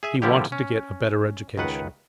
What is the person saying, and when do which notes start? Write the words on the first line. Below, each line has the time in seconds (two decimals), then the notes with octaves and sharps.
He wanted to get a better education.
0.03 G#4 E5 G#5
0.22 A#2 D3 F3 G3 E4 G4
0.52 C#4
1.57 C#2 D#3 B4 F#5